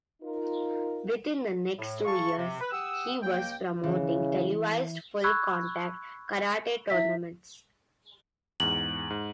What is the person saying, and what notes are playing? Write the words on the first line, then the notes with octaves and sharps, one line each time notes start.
Within the next two years, he was promoting televised full-contact karate tournaments.
D#4 F4 A#4
A2
F4 G#4 A5 C#6
C3
B4
G4 F#5 D#6 E6
C#2 A#3 G5
C#3 E3
B5 C#6 E6 F#6 G#6
E4 E5 B6
E2 G#2 F#7
G#2